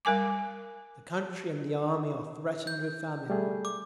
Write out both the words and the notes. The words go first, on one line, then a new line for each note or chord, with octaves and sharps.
The country and the Army are threatened with famine.
G3 A#4 G#5 D6
G6
G3 A3 G#4
D6